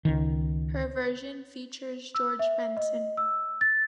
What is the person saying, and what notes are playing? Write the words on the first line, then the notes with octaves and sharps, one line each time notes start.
Her version features George Benson.
C#2 D#3
E6
E5
D#5
E6
A6